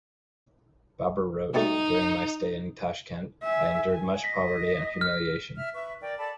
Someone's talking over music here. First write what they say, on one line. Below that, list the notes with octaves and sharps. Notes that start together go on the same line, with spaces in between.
Babur wrote, During my stay in Tashkent, I endured much poverty and humiliation.
B2 G3 A3 D#4
E5 G#5
G#5
D#5 A#6 B6
F6
E5 F6
B4 E5 C#6
A#4 D5 G5
A4 D5 A5 B5